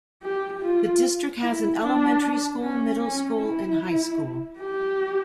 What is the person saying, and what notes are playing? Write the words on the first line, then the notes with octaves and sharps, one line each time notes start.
The district has an elementary school, middle school and high school.
G4
F4
E4
D4
C#4
C#4
E4
G4